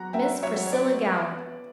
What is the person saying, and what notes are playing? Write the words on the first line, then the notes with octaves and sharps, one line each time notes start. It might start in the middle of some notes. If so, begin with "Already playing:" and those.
"Miss Priscilla Gower."
Already playing: E2 F#3 F#5 A#5
C#4 E5 G5
F#3 C#5 E5
C#5
C#4 B4 D5
B3
B3